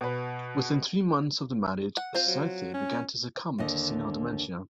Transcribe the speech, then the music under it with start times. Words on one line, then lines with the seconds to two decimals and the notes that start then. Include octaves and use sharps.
Within three months of the marriage, Southey began to succumb to senile dementia.
0.01 B2 B4
1.97 F#5
2.15 C4 F4 C5
2.27 F#3
2.74 C#4
3.58 D#2 D3 D#5